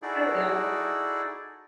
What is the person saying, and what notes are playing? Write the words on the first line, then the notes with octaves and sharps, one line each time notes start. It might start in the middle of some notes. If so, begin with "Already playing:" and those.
I don't know.
D#4 E4 F#4 G#4 A4 D5